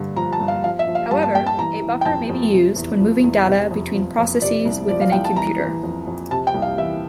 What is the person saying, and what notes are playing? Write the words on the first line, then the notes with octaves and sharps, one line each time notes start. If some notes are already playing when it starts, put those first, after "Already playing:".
However, a buffer may be used when moving data between processes within a computer.
Already playing: G2 D3
F3 A#5
A5
G2
F5
F3 F5
E5
F3
F5
G2 A5
A5
G2 G5
A5
E3 A#5
E3
G5
F2 A5
F2
C3
E2
F3
E2
C3
F2
F3
F2
C3 D5
C2
F3 D5
F5
C2 G5
A5
E3 A#5
E3
F2
F2
C3 A5
G5
C2
F5
E3 E5